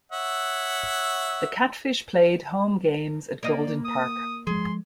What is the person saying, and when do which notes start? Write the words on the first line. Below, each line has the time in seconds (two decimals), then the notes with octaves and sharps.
The Catfish played home games at Golden Park.
0.12 C#5 E5 F#5
3.43 A#3 D5 D#5
3.85 D#6
4.47 F3 G#3 G#4 C6